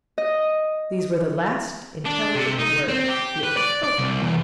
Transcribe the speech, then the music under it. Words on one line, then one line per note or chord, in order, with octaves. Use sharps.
These were the last intelligible words he ever spoke.
D#5
D4
C3
D#4
C4
G4
B4
D5
D5
C2
E2